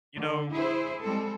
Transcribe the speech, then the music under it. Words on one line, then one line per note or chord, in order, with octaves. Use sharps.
you know
D3
E4 G#4 C5
G3 G#3 C4 A4